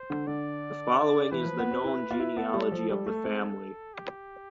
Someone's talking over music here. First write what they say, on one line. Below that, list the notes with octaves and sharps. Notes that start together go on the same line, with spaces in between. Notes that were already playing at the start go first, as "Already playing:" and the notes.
The following is the known genealogy of the family.
Already playing: C5
D3
D3 D5
E3 B4
F3
B3
C4
E4
F4
E4
B3 A4
G3
F3
G3 A4
A3
C4
G4